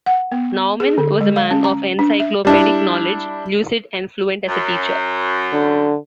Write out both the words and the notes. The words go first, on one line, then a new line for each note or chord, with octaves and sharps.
Naumann was a man of encyclopedic knowledge, lucid and fluent as a teacher.
F#5
B3
G#4
D3
G#3
F5
C#4
A#5
D4
E5
G3 D4 E4
F#2
D3